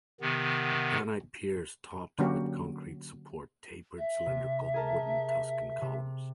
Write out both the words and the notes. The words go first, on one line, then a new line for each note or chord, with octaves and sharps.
Granite piers topped with concrete support tapered cylindrical wooden Tuscan columns.
C3 D#3 B3
D3 F#3 A#3 C#4 F#4 G4
E5
C3
G#4 A#4 A5
C3